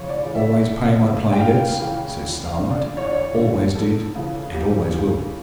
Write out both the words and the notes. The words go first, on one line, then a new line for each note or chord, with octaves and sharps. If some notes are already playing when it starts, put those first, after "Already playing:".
'Always pay my play debts,' says Starlight. 'Always did, and always will.
Already playing: F2 C#3 E3 C#5
D5
C#3 E3
E5
E2
C#3 E3
G5
E2 F5
C#3 E3
E2
F5
D3
D5
E2 C#5
D5
C#5
D3
F2 A4
C#3 E3
F2 G4
C#3 E3